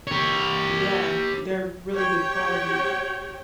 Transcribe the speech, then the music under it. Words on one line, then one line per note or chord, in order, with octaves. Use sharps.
Yeah, they're really good quality now.
G4 C#5
G4 C#5 G5